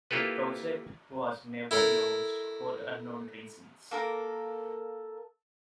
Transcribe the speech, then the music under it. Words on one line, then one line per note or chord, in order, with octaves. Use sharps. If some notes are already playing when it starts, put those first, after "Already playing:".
The project was never launched for unknown reasons.
A#3 E4 F4 G4 A4 B4
E4 A4 A#4
A#3 A4 A#4